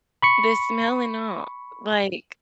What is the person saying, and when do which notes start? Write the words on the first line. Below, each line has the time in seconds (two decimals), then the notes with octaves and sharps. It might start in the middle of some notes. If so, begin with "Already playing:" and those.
The smell and all, like
0.22 B5 C#6 C#7